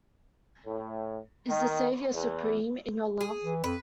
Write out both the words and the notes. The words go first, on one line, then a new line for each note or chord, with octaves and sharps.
Is the Savior supreme in your love?
A2
D#3
E2
G#4
E3
F2 B4